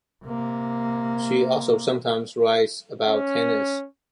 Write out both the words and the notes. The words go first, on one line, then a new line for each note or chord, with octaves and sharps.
She also sometimes writes about tennis.
C3 A#3
C#4